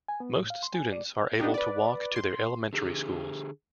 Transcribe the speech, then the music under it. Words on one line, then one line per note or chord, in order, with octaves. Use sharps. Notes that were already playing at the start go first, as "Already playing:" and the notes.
Most students are able to walk to their elementary schools.
G#5
B3
A2
F5
C6
G#5
D5
B3 D4 D#4 G4
B4 D5
C6
D3 G4 G#4